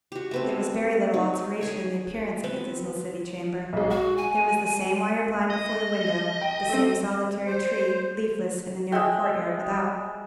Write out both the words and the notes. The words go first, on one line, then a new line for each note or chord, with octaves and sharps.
There was very little alteration in the appearance of the dismal city chamber. There was the same wire-blind before the window, the same solitary tree, leafless, in the narrow courtyard without.
F#4 G4
A3 B3 C4
D#4
G#4 C#5
B3 C4
B1 G#3
F#4 F#5
G#5
D#5
G5
A3 C4
C5
G#3 D#5 E5 G5